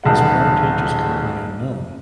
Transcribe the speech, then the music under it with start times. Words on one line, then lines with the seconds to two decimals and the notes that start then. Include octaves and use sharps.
His parentage is currently unknown.
0.04 D#1 B1 G#3 F#5